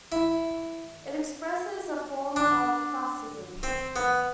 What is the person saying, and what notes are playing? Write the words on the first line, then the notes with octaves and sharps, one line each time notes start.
It expresses a form of classism.
E4
D4
C4
B3